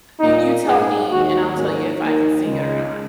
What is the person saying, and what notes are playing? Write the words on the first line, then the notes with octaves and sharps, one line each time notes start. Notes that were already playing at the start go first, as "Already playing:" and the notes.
You you tell me, and I'll tell you if I can sing it or not.
A#2 A#3 D#4
G#2 G#3 G#4
D#2 D#3 G#3 F#4
G#2 F#3 A#3 C#4
D#2 D#3 A#3 D#4
C#2 C#3 G#3